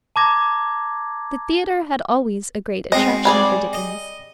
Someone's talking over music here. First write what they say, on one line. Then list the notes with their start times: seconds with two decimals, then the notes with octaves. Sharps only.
The theater had always a great attraction for Dickens.
0.16 A5 A#5 D6 G#6 A#6
2.92 G#2 C4 F#4 D#5
3.25 G3 G#4 D5
3.73 D#5